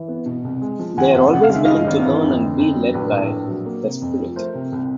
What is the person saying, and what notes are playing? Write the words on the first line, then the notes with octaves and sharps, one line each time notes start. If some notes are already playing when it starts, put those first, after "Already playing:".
They are always willing to learn and be led by "The Spirit".
Already playing: E3
B3
B2
C2
G#3
F3
D#2 F#5 G#5
F1 E5 F#5
C#3 F#5
F5
G#3 E5
G2 D#5 F5
G#1
E3
F2
D3
F2
F#3
A#1 B4
A#4
A2
A4 B4
A#1
F#3
A#3
C3
F2
F3
A3 A#4 C5
C3
C2